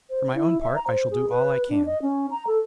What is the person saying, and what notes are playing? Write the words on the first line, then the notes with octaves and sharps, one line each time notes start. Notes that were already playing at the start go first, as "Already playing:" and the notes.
For my own part, I shall do all I can.
C5
E4
E5
A#5
C5
G#4
B4
D4
D#5
C#4
A#5
A4